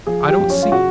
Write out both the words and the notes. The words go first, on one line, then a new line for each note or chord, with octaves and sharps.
I don't see.
F3 G#4
G4
F#2
C#4
F4
C#3 F#4